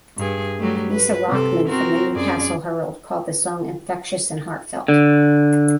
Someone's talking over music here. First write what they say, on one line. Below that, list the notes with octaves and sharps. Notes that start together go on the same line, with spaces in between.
Lisa Rockman from The Newcastle Herald called the song "infectious and heartfelt".
G2 G#4
F#3 G3 A3
B4
C3 A4
C4 F#4 A#4
F#2 G#4 D5
D3